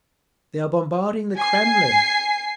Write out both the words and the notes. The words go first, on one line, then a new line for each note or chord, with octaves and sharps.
"They are bombarding the Kremlin!"
G#5 C7